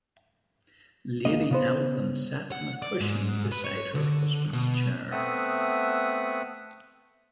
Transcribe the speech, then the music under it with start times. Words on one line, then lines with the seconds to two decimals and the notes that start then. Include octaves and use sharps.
Lady Elphin sat on a cushion beside her husband's chair.
1.25 C#2 A#3 D#5
1.51 C#3 B3 C5
2.52 F#5
2.82 D5
3.01 G#2
3.52 B4
3.64 C#5
3.95 D3
4.53 B2
5.12 A3 B3 C4 E5 F#5 D#6